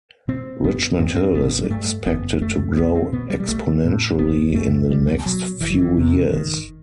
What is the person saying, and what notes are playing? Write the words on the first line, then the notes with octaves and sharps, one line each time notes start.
Richmond Hill is expected to grow exponentially in the next few years.
B2 C4
G1 B3
G2 C4
B3
C4
A1 B3
G3
G2 A3
F#1 B3
F#2 A3
B1 B3
C4
B2 B3
G3
G3
B1 A3
A2
F#1 B3
F#2 A3
C2 G3
B2 F#3
F#1 E3
F#3
E3
E2 C3
G1 D#3